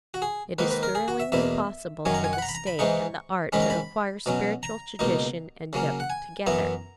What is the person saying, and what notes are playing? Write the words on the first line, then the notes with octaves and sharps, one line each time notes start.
It is thrillingly possible for the state and the art to acquire spiritual tradition and depth together.
F#4
G#4
G#2 D#3 A#3 D#4 B4
B4
A#4
G#4
F#4
E5
E2 B2 A#3 E4 E5
F#2 D#3 F#3 C#4 G#5
A#5
G#5
F#5
B5
A#5
B5
A#5
B5
G#2 E3 G#3 D#4 C#6
G#2 D#3 G#3 C#4 B5
A#5
B5
B2 F#3 C#4
A#5
C#2 B2 A#3 D#4
C#3 F#3 A#3 C#4
F#5
G#5
F#2 E3 B3 E4 A#5